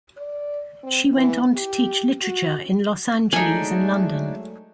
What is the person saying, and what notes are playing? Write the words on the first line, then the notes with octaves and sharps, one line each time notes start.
She.went on to teach literature in Los Angeles and London.
D5
C4
E3
G4
F#4
F#3 G#3 A3 D4 D#4 G#5